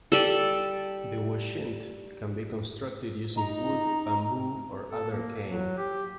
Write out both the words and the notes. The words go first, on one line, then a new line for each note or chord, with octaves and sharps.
The "washint" can be constructed using wood, bamboo, or other cane.
G3 A4
D#4 A#5
A4
A#3
F#3
G4